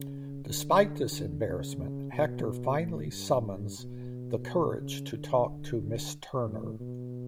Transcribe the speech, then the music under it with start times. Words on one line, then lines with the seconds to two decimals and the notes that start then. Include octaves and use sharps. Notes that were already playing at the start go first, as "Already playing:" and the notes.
Despite this embarrassment, Hector finally summons the courage to talk to Miss Turner.
Already playing: C#3
0.45 D3
1.11 D3
1.45 C#3
2.12 B2
2.79 A2
3.12 G2
3.79 B2
4.79 C#3
5.12 D3
5.79 D3
6.46 A2
6.79 B2